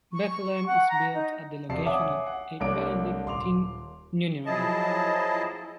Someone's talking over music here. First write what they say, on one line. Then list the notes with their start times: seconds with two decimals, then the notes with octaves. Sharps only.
Bethlehem is built at the location of a Benedictine nunnery.
0.12 C#6
0.66 F#5
0.88 A#5
1.13 D#4
1.69 E1 C3 D5 A5 C7
1.85 C#5 E5 F#5 G#5 D6 D#6
2.27 F#5
2.60 C2 A3 D4 C#5 D6 D7
3.26 D#1 C6 D6 F7
4.46 F3 F#3 E4 G#4 D#5 A5